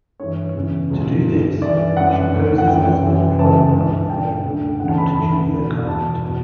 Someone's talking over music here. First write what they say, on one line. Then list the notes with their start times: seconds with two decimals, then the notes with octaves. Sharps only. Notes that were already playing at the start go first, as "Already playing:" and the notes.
To do this, she poses as an employee under the name "Doctor Julia Carpenter".
0.20 G2 E3 C#5
0.55 E2 C#3 E3
0.90 C#2 B2
1.26 G2 D3
1.62 G2 E3 D5
1.97 F#2 E3 F#5
2.33 D2 D3
2.58 F#5
2.67 F#2 E3 G5
3.03 F#2 E3
3.39 C#2 C#3 E3 A5
3.75 G2 E3
4.09 G2 D3 G5
4.46 D2 D3
4.80 E2 C#3 E3 F#5
4.89 A5
4.98 B5
5.06 A5
5.16 D2 C#3 E3 B5
5.51 E2 B2
5.87 E2 B2 A5
6.26 B2